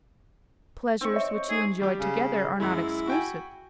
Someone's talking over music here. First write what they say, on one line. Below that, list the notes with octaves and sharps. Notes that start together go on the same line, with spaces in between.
The pleasures which you enjoy together are not exclusive.
C4 D#4 C#6
C#5 D#5 E5
D#4 G#4
G3 G4
C#3
F#2 G#3 E4
F#4 G5 G#5